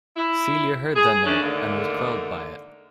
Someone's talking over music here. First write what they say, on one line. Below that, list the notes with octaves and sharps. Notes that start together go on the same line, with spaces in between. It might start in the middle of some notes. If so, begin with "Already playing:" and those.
Celia heard that note and was quelled by it.
E4
G#4
D#3 A3 C#4 D4 G#4
D#2 G#2 D3 A3 A#3